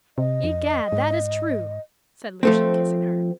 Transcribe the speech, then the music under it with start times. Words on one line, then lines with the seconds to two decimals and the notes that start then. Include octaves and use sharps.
"Egad! that is true!" said Lucian, kissing her.
0.18 C3 D#5
0.44 F2
0.92 G#2
2.43 F3 A3 C4